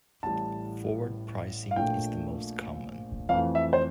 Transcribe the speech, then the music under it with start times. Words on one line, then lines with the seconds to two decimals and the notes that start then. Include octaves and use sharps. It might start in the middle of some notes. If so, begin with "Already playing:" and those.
Forward pricing is the most common.
0.23 A1 A2 G3 A5
1.71 F5
1.76 A#1 A#2 A3 G5
3.29 F2 E3 A3 F5
3.55 E5
3.73 C5